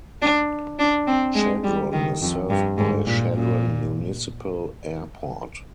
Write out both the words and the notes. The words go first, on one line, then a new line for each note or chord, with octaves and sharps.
Chadron is served by Chadron Municipal Airport.
D4
D4
C4
G#3
G3
D#3
F2
G2
G#2
A#2
A#2